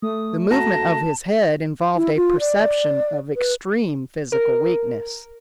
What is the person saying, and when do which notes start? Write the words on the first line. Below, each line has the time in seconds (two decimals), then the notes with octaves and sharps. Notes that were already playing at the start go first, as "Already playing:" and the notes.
The movement of his head involved a perception of extreme physical weakness.
0.02 A3 D#6
0.51 F#4 A5 A#5 A#6
1.95 E4
2.15 F4
2.39 D5
3.35 B4
4.32 A#4